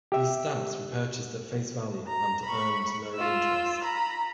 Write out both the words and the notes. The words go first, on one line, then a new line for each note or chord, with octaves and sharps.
These stamps were purchased at face value and earned no interest.
G4 E5
A#5
B5 C#6
F4 E6
A#5 B5